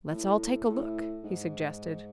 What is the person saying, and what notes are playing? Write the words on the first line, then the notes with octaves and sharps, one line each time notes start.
"Let's all take a look," he suggested.
A2
A2
G#2